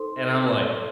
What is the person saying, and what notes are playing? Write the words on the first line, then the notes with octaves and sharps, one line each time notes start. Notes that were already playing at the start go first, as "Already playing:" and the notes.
and I'm like
Already playing: D#4 A4 C5 C6
C5
A4
A4